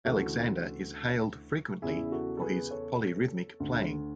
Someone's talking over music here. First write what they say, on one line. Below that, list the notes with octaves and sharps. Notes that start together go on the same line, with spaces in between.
Alexander is hailed frequently for his "polyrhythmic" playing.
D2 C#3 E3 F#4 A4
E2 C#3 E3 E4 G#4
F#4 A4
A4
G#4 B4
A4 C#5
D2 D3